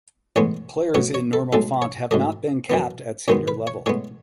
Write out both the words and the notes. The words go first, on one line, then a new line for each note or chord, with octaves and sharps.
Players in normal font have not been capped at senior level.
A1 A2 G#3 B3 C#5
A2 F#3 B3 C#5
C#5
A4
B1 A2 G#3 A4
C#5
G#2 F#3 A3 D#5
F#2 E3 B3
F#2 D#3 G#3 B3 C#5
B4
C#5
A2 G#3 B3 C#5